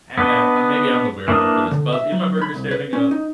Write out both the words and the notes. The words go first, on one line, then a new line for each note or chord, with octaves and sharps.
And uh, maybe I'm the weird one for this? But, I was eating my burger standing up.
B3 D4 B4 D#5
E3 A#3 D4 A#4 D#6
D3
E5
F#3
B5
C2
B4
C#4
D#4